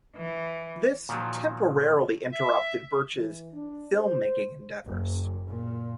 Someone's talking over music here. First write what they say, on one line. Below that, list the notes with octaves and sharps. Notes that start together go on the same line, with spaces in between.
This temporarily interrupted Birch's filmmaking endeavors.
E3
A#2 D#3 F3 F#3
E5
E3
D4
C5
F#1
A#2